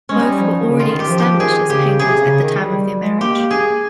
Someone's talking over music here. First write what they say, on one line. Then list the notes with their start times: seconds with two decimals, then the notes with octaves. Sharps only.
Both were already established as painters at the time of their marriage.
0.09 G#3 C#4
0.18 G3 D#4
0.40 F3
0.59 D#3
0.71 C#3
0.80 D#3 F4
1.00 G4
1.09 F3
1.19 G4
1.40 D#3 G#4
1.70 C#3 G4
1.99 C3 G#4
2.13 C3
2.20 C#3
2.40 D#3
2.60 G3
3.01 G#3
3.21 A#3 G4
3.51 G#4